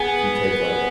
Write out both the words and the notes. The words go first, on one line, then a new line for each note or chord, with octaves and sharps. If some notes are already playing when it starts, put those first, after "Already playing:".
if you take, like
Already playing: B3 G#4